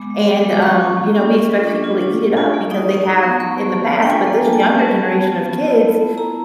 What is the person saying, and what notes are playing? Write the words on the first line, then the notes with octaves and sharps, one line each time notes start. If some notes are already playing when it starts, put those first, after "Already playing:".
and, um, you know, we expect people to eat it up because they have in the past, but this younger generation of kids,
Already playing: G#3 B3 D6
G#3
G#3
G#3
D6
C#4 C#6
F4
A#3
C#4
F4
F#3
D4
F4
D4
D4
F4
A3
D#4
D#4
D#4
B3
A3 C#6
A3
A3
D4
G5
F4 G#5
A#3
F4 A5
G#5
C#4 A5
B3
B3
B3
F4
B3
E4
B3
B3
E4 A#5